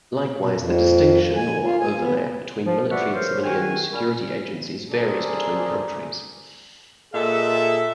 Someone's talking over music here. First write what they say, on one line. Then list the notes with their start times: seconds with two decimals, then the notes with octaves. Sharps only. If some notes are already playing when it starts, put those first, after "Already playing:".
Likewise, the distinction, or overlap, between military and civilian security agencies varies between countries.
0.39 B2
0.54 F2
1.36 G#5
1.62 F4
1.80 G#5
1.97 B3
2.66 F3
2.91 F#4 B4 D5 E5 C#6
3.13 C#4 A#4 C5
3.44 E2 D#3 F#4 G#5
3.91 A#2 G3 C#4
4.90 A3 C4 G#4 A#4 D5
7.14 A#2 G#4 A4 D#5 E5